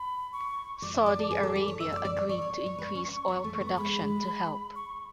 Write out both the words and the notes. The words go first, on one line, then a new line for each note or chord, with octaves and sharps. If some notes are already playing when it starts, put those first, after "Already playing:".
Saudi Arabia agreed to increase oil production to help.
Already playing: B5
C#6
D5 D6
E5
D5
A4
G#4
A4
B4
C#5
E5 E6
D5
D6
D5
C#5
D5 C#6
C#5
C#5
B4
C#4
B3
A3
B3
C#6
G#3 B5
G#3
C#6